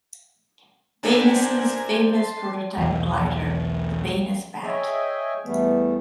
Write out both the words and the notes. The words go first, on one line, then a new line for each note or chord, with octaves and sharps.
Baynes's famous prototype glider, the Baynes Bat.
C3 C4 D4 A#4 G#5
A5 C6
B1 E2
G#4 C#5 D#5 E5 G5 G#5
E2 E3 G3 A3 B3